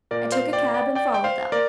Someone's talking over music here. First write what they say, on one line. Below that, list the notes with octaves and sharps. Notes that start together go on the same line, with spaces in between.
I took a cab and followed them.
A#2 A#3 A#4 D5
C5 F5
D5 G5
D5 G5
D5 G5
G5
C5 F5
A#4 D5